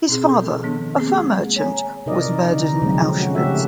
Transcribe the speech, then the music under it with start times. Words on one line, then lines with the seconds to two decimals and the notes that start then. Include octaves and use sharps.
His father, a fur merchant, was murdered in Auschwitz.
0.09 B2 C4 G#4
0.29 A4
0.62 D#3 F3 B3 D4
0.97 A#3 C4 G#4
1.19 G#3
1.56 C#5 G#5 A#5
2.06 C3 D#4 A#4 D5 D#5
2.50 D3 D#4
2.82 C3 F#3 G#3 C4
2.94 F3
3.19 C#4 F#4
3.35 C#3 A3 C#4 F#4 G4 E5